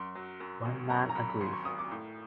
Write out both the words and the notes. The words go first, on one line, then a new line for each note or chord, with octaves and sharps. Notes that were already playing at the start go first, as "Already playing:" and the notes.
One man agrees.
Already playing: F#2 C6
F#3
F#2
G#1
F#2 A#5
A#5
F#2 B5
B5
G#1 C6
C#6
G#1 D#6
D6
A2